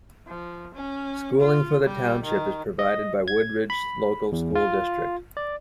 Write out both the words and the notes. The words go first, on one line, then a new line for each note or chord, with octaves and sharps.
Schooling for the township is provided by Woodridge Local School District.
F3
C#4
F4
G3
D#3
D#5
G#6
B5
E2
F4
D5